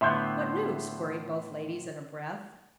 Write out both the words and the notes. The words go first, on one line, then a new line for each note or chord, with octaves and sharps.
"What news?" queried both ladies in a breath.
A2 D3 B3 E5 C6 G6